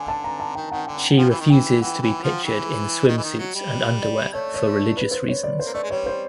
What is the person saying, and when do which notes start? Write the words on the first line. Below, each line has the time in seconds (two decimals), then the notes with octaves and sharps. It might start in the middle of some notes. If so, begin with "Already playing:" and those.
She refuses to be pictured in swimsuits and underwear for religious reasons.
Already playing: D3 G#5
0.08 A5
0.24 A#5
0.40 A5
0.55 D#3 G5
0.71 D#3 F#5
0.87 D3 G5
1.18 F3 G5
1.30 E3
1.40 D#3
1.50 E3 G5
1.81 E3 F#5
2.02 E3
2.23 F3
2.44 E3
3.07 D#3 D#5
3.17 E3
3.23 D#3
3.39 F#3
3.55 G3
4.02 D5
4.33 A3 C#5
4.54 C#5
4.97 B4
5.11 C5
5.28 C#5
5.43 D5
5.59 C5
5.66 A#3
5.74 A3 D5
5.83 G#3
5.90 G3 C#5
6.06 C5